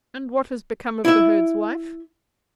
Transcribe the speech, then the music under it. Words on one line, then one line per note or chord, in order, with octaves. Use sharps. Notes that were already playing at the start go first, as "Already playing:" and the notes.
"And what has become of the herd's wife?"
E4 E5